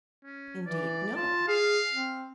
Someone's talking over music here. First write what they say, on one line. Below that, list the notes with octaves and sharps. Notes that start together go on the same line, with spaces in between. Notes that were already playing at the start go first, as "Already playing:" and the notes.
"Indeed no."
C#4
E3 D5
F4 A5
G#4 F5
C4